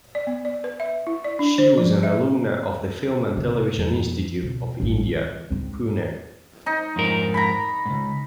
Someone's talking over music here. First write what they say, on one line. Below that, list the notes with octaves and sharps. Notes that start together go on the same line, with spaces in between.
She was an alumna of the Film and Television Institute of India, Pune.
D5
B3
D5
B4
E5
E4
D5
D4
C5
F3
E5
A2 C3
F2
B2
A1 G2
E3
G#2 C4
D#4
F2 G#2 A#4
A#5 B5
C#2 G#2